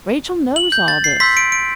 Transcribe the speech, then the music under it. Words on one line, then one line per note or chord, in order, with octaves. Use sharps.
Rachel knows all this.
F#7
G6
A6
C7
C6 E6 G6 B6
D7
D7